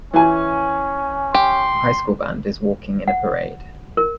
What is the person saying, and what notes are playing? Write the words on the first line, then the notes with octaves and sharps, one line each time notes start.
A high school band is walking in a parade.
E3 C#4 G#5
G4 C6
F#5
A#4